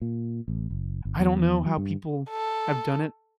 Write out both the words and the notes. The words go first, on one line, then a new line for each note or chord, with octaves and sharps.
I don't know how people have done it.
A#2
A1
F#1
G1
E2
F#3
G2
A4